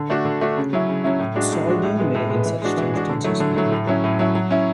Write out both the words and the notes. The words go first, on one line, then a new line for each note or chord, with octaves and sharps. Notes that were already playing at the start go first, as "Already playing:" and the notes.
Solder may in such instances be employed.
Already playing: D3
A3 D4 F#4
D3
A3 D4 F#4
C#3
F#3 C#4 E4
C#3
F#3 C#4 E4
A2
G#3 D4 F#4
A2
G#3 D4 F#4
A2
G#3 B3
A2
G#3 B3
E3
G#3 D4 F#4
E3
G#3 D4 F#4
D3
F#3 A3 E4
D3
F#3 A3 E4
A2
F#3 C#4 E4
A2
F#3 C#4 E4
F#3
C#4 E4